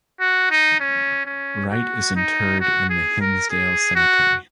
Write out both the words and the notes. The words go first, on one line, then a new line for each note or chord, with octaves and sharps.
Wright is interred in the Hinsdale Cemetery.
F#4
D#4
C#4
C#4
F#4
D#4
F#4
G#4
A#4
G#4
F#4